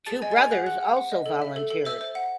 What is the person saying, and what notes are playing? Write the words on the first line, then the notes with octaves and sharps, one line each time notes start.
Two brothers also volunteered.
G#4 A5 A6
D#5 G#5 G#6
A6
G#4 G#5 G#6
G#4 F#5 F#6
F#5 F#6
F#5
F#5
D#5
A4
E5
A4
A4
C5 E5 E6
C5
F#5